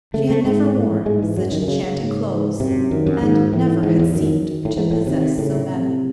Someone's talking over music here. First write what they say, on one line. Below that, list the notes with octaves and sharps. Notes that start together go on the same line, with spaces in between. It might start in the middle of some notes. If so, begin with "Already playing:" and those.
She had never worn such enchanting clothes and never had seemed to possess so many.
C#3 A3
A3
G#2 G#3
A2
G#2 G#3
E3
F#2 F#3
D#3
D#3
C#3
C#3
G#2
G#2
F#2 C3
F#2 D#3
F#2
G#2 D#3
A2 E3
G#2 E3
E2
F#2 D#3
D#3
A2
G#2 E3
A2
C3 D#3
A2 C#3
C3